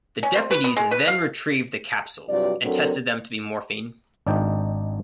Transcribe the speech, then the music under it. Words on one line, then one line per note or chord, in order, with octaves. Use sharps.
The deputies then retrieved the capsules and tested them to be morphine.
C#4
C4
B4
B3
G#3
B4
F5
G2 C3 F#3 F4 D5
F#3 C4 D4 F#4 A4 A#4
G#1 D4 D#4 G5